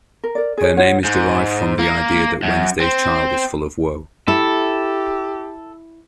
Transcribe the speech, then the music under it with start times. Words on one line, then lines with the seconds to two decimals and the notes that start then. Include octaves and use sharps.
Her name is derived from the idea that Wednesday's child is full of woe.
0.24 A#4
0.35 A#4 D5
0.58 G#4 C#5
0.77 F4 C#5 F#5
1.04 G#2
1.79 A#3
2.43 F#2
2.80 C4
4.28 E4 G4 A4